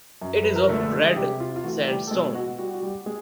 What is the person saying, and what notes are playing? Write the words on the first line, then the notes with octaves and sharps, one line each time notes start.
It is of red sandstone.
F#2
B4
A#4
D3 F3 G#3 A3 A4
G#4
C3 G3 G4
F4
F4
E3 A3 F#4
G3 G4
A4
B2 G#3 G#4
F#4
G3 F#4
F#4
G3 G4
G#3 G#4